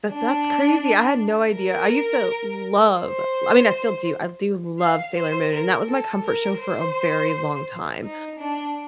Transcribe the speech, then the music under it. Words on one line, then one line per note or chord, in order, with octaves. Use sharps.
That that's crazy, I had no idea, I used to love I mean, I still do, I do love Sailor Moon, and that was my comfort show for a very long time,
D4
A#4
C5
F5
C5
A#4
A4
A#4
C5
D#4
D4